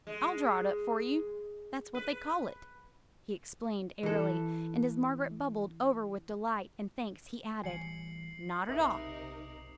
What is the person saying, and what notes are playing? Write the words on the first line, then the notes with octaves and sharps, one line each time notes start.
I'll draw it up for you--that's what they call it," he explained airily; and as Margaret bubbled over with delight and thanks he added: "Not at all.
G#3
B4
E3 A4
A1 E3 G3 G#5 C7 C#7 F#7
B1 C3 D#4 A#4 B4 E5 D6 D#6